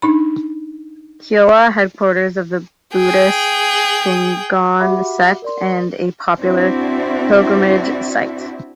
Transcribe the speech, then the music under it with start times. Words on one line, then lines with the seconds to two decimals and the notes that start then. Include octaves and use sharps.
Koya, headquarters of the Buddhist Shingon sect and a popular pilgrimage site.
0.02 D4 D#4 B5
2.95 G#4 G5
4.79 F#4 G4 E5 F#5 B5 D6
5.42 A#4 D5 C6
6.39 C4 D4 E4 F#4